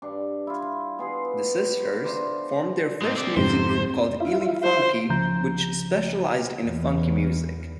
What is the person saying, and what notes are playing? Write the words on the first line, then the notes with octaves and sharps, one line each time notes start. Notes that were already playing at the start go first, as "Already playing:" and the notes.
The sisters formed their first music group called Elefunky, which specialized in funky music.
G2 D4 C#6
E4 F4
B3 G#4 C6
D4 C5 E5
G#3 D#4
C4 D5
F2 G#2 C3 C5
E4 F4
C5
C#2 C#3 F3 A#5 G6
E2